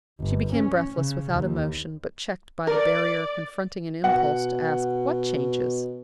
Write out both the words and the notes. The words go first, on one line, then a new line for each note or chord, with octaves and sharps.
She became breathless, without emotion, but checked by the barrier confronting an impulse to ask, what changes?
G1
C#4
C#3
D#2
A#4 D5
B2 F#5